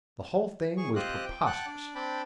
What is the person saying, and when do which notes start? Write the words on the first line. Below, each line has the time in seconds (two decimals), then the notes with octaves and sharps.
The whole thing was preposterous....
0.77 G#4 C#6
0.96 C4 F4 G4 C5 D#5 F#6
1.25 G5
1.46 F#5 G5 A5 F#6
1.66 D4 D5
1.95 C4 D4 G5 A5 B5